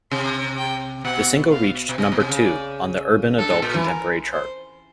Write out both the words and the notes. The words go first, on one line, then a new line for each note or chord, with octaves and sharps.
The single reached number two on the Urban Adult Contemporary chart.
C3 C6
G5
B2 F#5
F5
B2
C3 D#5
B2
C3
C#3
D5
G2 A4
G#2
A#2
E3
A#4
C5